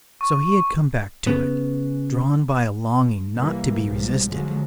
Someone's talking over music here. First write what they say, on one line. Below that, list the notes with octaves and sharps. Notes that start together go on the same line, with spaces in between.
So he had come back to it, drawn by a longing not to be resisted.
C#6
C#3 B3
C2 E3 G3 A#3
B1 G#2 F3 G3
D3 F3 F#3 G#3